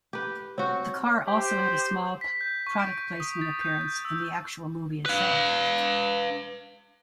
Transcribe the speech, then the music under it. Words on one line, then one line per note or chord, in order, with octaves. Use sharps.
The car also had a small product placement appearance in the actual movie itself.
G4 B4
C4 F#4 C#5
G4 C5
B6
G6
C#6
D7
C#6
D#6
A6
G6
G6
E6
B4 F5